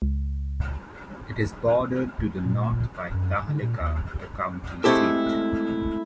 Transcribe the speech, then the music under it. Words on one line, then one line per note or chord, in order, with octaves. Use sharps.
It is bordered to the north by Tahlequah, the county seat.
C#2
A#2
F#2
D3
A#2
D#2
G#3 A3 C4 E4 G4 A4